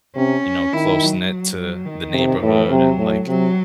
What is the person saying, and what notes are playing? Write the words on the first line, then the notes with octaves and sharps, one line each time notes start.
you know, close-knit to the neighborhood and, like,
C3 C#4
D#3 E4
F#3
F#3
D#3
C3
A2 E3
C3 F#3
A2
C3 F#3